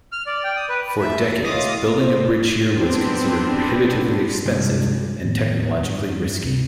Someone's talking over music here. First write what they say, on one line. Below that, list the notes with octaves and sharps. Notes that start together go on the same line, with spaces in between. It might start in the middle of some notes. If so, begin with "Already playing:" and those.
For decades, building a bridge here was considered prohibitively expensive and technologically risky.
F6
D5
G5
D#6
B4
A3 E5
A2 F4 D#5 D6 D#6
C5
B3 C4 D4
G2 C3 G#3
A2 D#3 B3
G2
C#2 C3